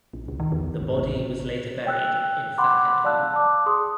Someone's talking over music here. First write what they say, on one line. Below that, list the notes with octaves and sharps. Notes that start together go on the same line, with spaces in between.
The body was later buried in Thakandhoo.
A#1
C#2
D#3
E2
G#1
A1
G5 E6 F#6
F#5 B5 C6 D6 F#6
D5 F5 A5 E6 F#6
A5 D6
G#4 C6 D#6